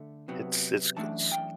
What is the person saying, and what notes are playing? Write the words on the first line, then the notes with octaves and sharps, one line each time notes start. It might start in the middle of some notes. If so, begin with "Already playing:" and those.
it's it's g it's
Already playing: D3 A3
C3 F#3 B3
F#2 E3 A3 D4 A5
G5